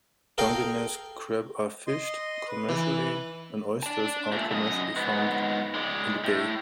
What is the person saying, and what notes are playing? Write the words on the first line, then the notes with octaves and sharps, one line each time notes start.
Dungeness crab are fished commercially, and oysters are commercially farmed in the bay.
G#4 A4 F5 G5 A#5
D#5 C6
B4
E3
D5 A5
A#2 A3
F#2 D#5
G#2 B3
G#3 D5
A2